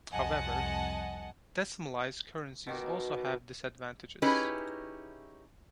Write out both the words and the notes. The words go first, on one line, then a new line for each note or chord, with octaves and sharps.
However, decimalised currencies also have disadvantages.
C2 F2 D#5 F#5 G#5 A5
B2 D#3 D6
C#4 D#4 E4 G4 G#4 B4